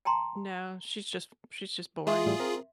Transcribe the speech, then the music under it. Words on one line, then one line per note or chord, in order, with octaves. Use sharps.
No, she's just she's just boring.
G5 A5 A#5 C6
G#3 F4 G#4 E5 C6
A2 G3
C4 A#4